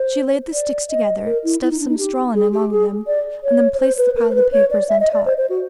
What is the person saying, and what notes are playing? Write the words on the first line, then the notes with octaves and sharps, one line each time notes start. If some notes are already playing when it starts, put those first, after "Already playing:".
She laid the sticks together, stuffed some straw in among them, and then placed the pile of papers on top.
Already playing: C5
D5
D#5
A#4
E4
E4
D#4
D4
D#4
G4
G#4
G4
G#4
D5
C#5
C#5
C5
B4
A#4
C5
B4
C#5
D5
E5
D#5
D5
C5
C5
F#4